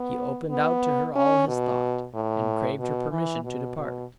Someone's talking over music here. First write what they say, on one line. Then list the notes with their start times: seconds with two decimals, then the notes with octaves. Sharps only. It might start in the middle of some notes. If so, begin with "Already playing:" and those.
He opened out to her all his thought, and craved her permission to depart.
Already playing: B3
0.51 B3
1.16 C#4
1.48 B2
2.14 A2
2.79 B2
3.11 E3
3.44 B2
3.77 B2